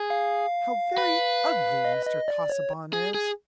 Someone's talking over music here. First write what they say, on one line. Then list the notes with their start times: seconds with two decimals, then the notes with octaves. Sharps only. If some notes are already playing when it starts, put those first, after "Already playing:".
"How very ugly Mr. Casaubon is!"
Already playing: G#4
0.10 F5
0.98 B4
1.85 D#5
2.07 D#5
2.28 D5
2.50 C#5
2.93 G#4
3.15 G#4